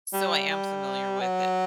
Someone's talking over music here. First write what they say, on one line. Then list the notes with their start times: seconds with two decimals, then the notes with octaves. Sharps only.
So I am familiar with it
0.14 G3
0.49 G3
1.20 F#3